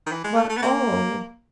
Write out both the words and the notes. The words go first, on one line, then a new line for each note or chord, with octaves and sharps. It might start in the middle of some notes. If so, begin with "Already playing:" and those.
But oh!
D#3
E3
G#3
A3
A3
B3
A#3